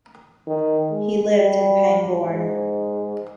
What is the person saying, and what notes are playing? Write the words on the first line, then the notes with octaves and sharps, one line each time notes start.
He lived in Pangbourne.
D#3
G#3
G3
G#2